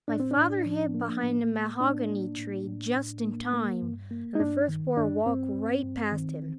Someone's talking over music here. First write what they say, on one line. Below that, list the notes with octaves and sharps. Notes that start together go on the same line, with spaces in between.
My father hid behind a mahogany tree just in time, and the first boar walked right past him.
A2 D4
C4
D4
A2
F3
A#3
A2
A#3
A2 D4
A#3
A2
A2
A2
A#3
A#3
G2
A#3
D#4
G2 D4
D#3
G2 D4
G2 C4
G2
G2
D#3